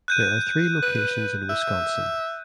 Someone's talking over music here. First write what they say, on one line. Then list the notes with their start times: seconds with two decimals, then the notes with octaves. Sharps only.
There are three locations in Wisconsin.
0.08 F#6 G6 D#7
0.83 B4
1.50 E5